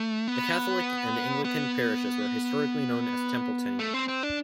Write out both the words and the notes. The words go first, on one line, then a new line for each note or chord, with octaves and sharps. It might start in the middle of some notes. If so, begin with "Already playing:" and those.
The Catholic and Anglican parishes were historically known as Templetenny.
Already playing: A3
B3
B3
A3
C4
C4
D4